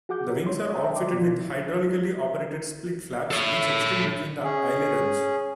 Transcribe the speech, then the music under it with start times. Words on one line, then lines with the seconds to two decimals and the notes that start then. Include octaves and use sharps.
The wings are outfitted with hydraulically-operated split flaps, which extend between the ailerons.
0.09 F#4 G#4 F#5 D6 G6
0.29 E4 G4 A#4 C#5
0.47 C#5 C6
0.74 C5 D#5 E5 G5 A5 A#5
0.95 D5 C6 D6
1.13 B2 F3 F4
3.31 A4 C#5
4.44 C#4 G#4